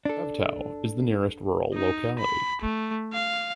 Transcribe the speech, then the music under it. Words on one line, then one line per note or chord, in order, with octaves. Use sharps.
Ravtau is the nearest rural locality.
D4 A4
D#4
B5
A3
F5